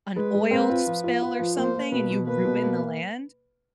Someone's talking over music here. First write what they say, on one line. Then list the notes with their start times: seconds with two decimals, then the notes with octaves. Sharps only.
an oil sp spill or something and you ruin the land,
0.16 G#3 B4
0.35 G#3
0.51 C4 B4
0.69 F4
0.86 F3
1.04 F4
1.22 F4 B4
1.39 F3
1.57 A#3 C5
1.75 A#3
1.92 B2 B4
2.11 B2
2.27 A#3 B4
2.45 B2
2.63 A#3